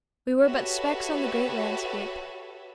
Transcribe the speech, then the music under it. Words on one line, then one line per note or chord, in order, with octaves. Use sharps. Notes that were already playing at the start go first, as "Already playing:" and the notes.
We were but specks on the great landscape.
F#4 G4 A4 B4 C#5 E5